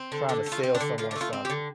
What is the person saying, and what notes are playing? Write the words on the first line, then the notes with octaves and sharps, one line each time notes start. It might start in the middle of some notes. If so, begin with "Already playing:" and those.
trying to sell someone something.
Already playing: C4
D3
D3 D4
A3
F4
C4
D4
D3
D3 F4
D4
A3
F4
C4
G4
D3